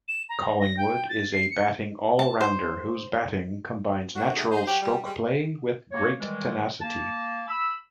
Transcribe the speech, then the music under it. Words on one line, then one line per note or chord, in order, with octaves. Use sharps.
Collingwood is a batting all-rounder, whose batting combines natural strokeplay with great tenacity.
E7
A#5
A#6
G5
A6
C7
C#7
A5
C5
F3 A3 A#3 D4 F#4
E2 G2 D3 A3 D#4 G#4
D#4 C5
F#3 G4
G3
G3 G#3
A#3 C#5
D#3 E3 G3 G#3
A#3 A5
B5 E6